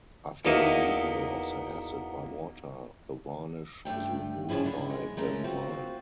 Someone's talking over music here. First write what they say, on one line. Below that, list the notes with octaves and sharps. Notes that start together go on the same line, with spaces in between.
After removal of the acid by water the varnish is removed by benzine.
E2 B2 A#3 D#4 E5
G2 D#3 A3 G5
C#3 E3 F3 E4 G#4
D3 E4
G#3
G#3 A3 C#4 A#4
C4 F4 F#4